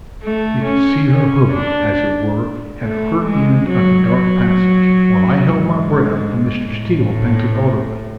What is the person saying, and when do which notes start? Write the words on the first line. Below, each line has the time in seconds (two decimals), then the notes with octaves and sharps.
We could see her hover, as it were, at her end of the dark passage, while I held my breath and Mr. Steele panted audibly.
0.23 A3
0.66 C#4
1.10 C#4
1.53 D4
2.82 A3
3.25 G#3
3.69 F#3
4.11 F#3
5.40 G#2
6.70 A2